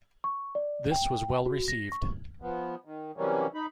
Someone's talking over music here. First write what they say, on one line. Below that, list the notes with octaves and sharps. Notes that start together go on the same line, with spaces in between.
This was well received.
C#6
D5
G5
F#4
A#6
C#6
F3 B3
D#3
C3 E3 F#3 G3 A#3 C#4
D#4 B5